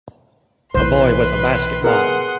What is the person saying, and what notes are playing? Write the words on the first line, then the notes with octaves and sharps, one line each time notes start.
A boy with a basketball.
B1 E3 B4 C5 C6
B3 G#4 A#4 F#5 C6 D#6